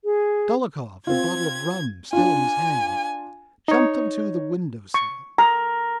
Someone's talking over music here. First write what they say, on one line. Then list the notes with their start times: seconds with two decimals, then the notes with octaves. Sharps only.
Dolokhov, the bottle of rum still in his hand, jumped onto the window sill.
0.04 G#4
1.07 C4 F4 G#6
2.13 D4 F4 G#5
3.68 D#4 C#5
4.94 C#6
5.38 A#4 A#5